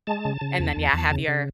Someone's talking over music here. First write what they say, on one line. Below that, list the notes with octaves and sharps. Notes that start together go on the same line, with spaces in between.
and then, yeah, have your
G#3 A5
C#3
C#3
E2
E2
E2
C#3
C#3